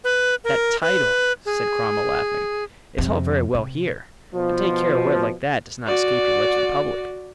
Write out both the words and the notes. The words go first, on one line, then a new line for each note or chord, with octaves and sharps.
"That title," said Cromwell, laughing, "is all very well here, but take care a word like that does not escape your lips in public."
B4
A#4
B4
G#4
F2 C3
C3
B2 F3
F#4 D5